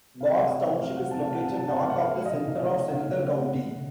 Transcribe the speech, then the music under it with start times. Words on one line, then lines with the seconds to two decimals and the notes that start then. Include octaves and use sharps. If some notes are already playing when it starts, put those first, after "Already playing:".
Boggs Township is located north of the center of Centre County.
0.20 C3 F5
0.35 F#3 F#5
0.50 C3 D#5
0.65 A3 C5
0.81 C3 F5
0.96 F#3 F#5
1.11 C3 A5
1.23 A3 F5
1.35 F#5
1.41 C3 A5
1.57 F#3 A5
1.68 C3 F#5
1.79 F5
1.87 A3 F#5
2.02 A3 F5
2.18 A3 F5
2.25 D#5
2.33 C#3
2.47 C#3 F5
2.59 A3 D#5
2.71 C#5
2.79 A3
2.88 F#5
2.93 C#3 F5
3.08 C#3
3.24 A3
3.38 A3 F#5
3.54 C#3
3.68 C#3